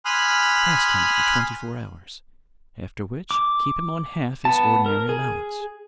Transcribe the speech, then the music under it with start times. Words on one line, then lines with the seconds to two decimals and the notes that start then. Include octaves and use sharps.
Fast him for twenty-four hours; after which, keep him on half his ordinary allowance.
0.05 G#5 B5 C6 D#6 F6 F#6
3.31 D6
4.45 B3 A5
4.86 A#4
5.09 G#4